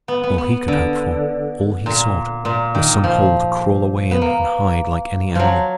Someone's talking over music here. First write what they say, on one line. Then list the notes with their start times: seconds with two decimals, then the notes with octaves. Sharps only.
All he could hope for, all he sought, was some hole to crawl away in and hide like any animal.
0.08 B3
0.23 B3
0.38 B3
0.68 D3
1.86 A#2
2.45 A#2
2.75 D#3
3.04 F3
4.11 B3
4.21 A#3
5.35 F3 F#3